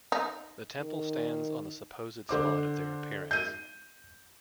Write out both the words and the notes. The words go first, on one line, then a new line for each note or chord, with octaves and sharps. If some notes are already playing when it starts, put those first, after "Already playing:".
The temple stands on the supposed spot of their appearance.
D#4
D#3
D3 C5 D6
G6 D#7